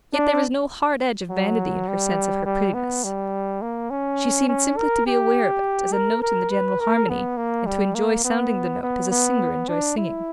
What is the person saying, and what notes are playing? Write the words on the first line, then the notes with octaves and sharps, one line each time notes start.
Yet there was no hard edge of vanity in her sense of her prettiness: she seemed simply to be aware of it as a note in the general harmony, and to enjoy sounding the note as a singer enjoys singing.
D4
F#3
G3
G3
B3
G3
A#3
C#4
C#4
A#4
G4
A#4
A#4
B4
A#4
B3
A#3
G3
A#3
B3
B3
B3
D4
E4